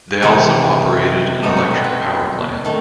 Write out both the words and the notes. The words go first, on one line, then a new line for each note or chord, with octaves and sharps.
They also operated an electric power plant.
E2 C3 D#3 F#3 D#4
B2 F#3 A3 D#4
C4
B3
C4
D#3 A3